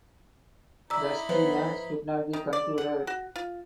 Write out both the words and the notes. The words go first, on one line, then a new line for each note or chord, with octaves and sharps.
Thus the match could not be concluded.
D#4 E4 D5 A#5 B5 E6
F3 B3 C#4 B4 C5
D#3
D5
F#5
F#4
F4